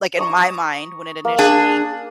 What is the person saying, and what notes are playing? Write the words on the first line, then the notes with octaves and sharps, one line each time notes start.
like, in my mind, when it initially
A#5 C#6 D#6
A#3
D4 G#4